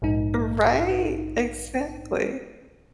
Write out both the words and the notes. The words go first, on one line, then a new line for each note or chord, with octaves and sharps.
Right. Exactly,
A#1 G#2 D#4